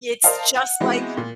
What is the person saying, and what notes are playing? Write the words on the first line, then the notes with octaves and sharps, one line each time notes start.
it's just like
A#4 C5 D5 D#5 F5 A5
F#5
E3 G#3 B3 C4 E4 F#4
A#2